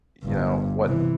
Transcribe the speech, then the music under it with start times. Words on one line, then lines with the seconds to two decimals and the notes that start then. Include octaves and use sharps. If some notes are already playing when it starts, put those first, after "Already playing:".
you know, what
0.24 G1 G2
0.85 C3 E3